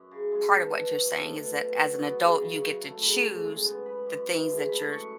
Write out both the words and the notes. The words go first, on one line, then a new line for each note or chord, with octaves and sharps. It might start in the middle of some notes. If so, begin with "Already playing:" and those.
part of what you're saying is that as an adult, you get to choose the things that you're j
Already playing: F#2
C#3
G#3
B2 A5
B2
F#3
A3
B2
B2
F#3
B3
C#3
C#3
F#3
A3
C#3 B5
C#3
G#3
B3
B3 B5
F#2
E3
G#3
A3 B5
F#2 C#6